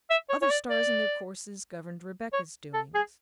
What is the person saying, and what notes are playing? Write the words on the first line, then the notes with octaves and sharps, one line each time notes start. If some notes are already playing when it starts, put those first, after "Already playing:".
Other stars in their courses governed Rebecca's doings.
E5
C#5
C#5
D5
D5
C#5
A4
G#4